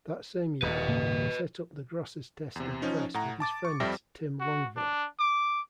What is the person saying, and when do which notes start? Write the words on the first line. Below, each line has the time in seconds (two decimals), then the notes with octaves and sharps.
That same year, he set up the Grosseteste Press with his friend Tim Longville.
0.62 D#1 D#2 B4 D#5
0.88 G#2 C#3 A#3
2.56 E2 C3
2.82 F3 C#4 D#4
3.14 A2 F#5 A#5
3.40 A5 D6 A6
3.65 C#6
3.80 F2 G3 E5 G5 A#6
4.40 F#4
4.76 D4
5.19 D6